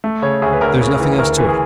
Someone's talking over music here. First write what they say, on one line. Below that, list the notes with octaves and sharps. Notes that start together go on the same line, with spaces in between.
There is nothing else taught.
A3
C#3 C#5
D2 G#4
B4
D2 A#4
C#3
E3
D2 A#4
E3
G#4